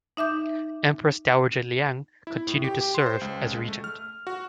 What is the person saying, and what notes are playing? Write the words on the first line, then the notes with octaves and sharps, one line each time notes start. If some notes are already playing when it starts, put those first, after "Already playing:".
Empress Dowager Liang continued to serve as regent.
D#4 E5 D6 G6
E4
A2
G4
G4
C6
C5
C#2
G#3
A3
F6
F#4